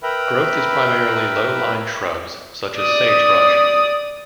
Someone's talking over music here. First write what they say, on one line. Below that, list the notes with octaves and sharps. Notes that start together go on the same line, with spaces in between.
Growth is primarily low-lying shrubs, such as sagebrush.
A#4 B4 E5 G5 A#5 B5
D5 D#6